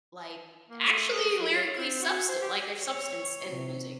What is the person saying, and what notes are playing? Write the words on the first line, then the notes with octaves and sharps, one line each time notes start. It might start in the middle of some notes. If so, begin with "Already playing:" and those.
like, actually lyrically substant like, there's substance in the music.
A#3
A3
G#4
F#3
C#5
C4
F#4
C5
G4
C#5
C3